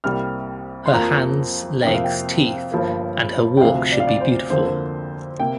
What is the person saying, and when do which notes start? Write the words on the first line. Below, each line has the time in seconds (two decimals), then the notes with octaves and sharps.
Her hands, legs, teeth and her walk should be beautiful.
0.04 C2 C3 G3 A#3 F6
0.86 C6
0.93 F2 F3 A#3 A#5
1.82 F2 C3 A#3 G5
1.94 F5
2.04 G5
2.72 G1 G2 F3 A#3
3.57 G5
3.61 D2 C3 F3 F5
3.92 D5
4.00 F5
4.07 D5
4.21 C5
4.50 F2 D3 A#3 C5
5.39 C3 A#3 G5